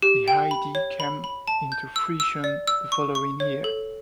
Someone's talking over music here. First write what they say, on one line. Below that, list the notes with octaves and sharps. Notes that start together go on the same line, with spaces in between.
The idea came into fruition the following year.
G4
G5
B5
C#5
B5
B5
A5
G6
E6
E6
D5
E6
C#6
C#6
C#5
A4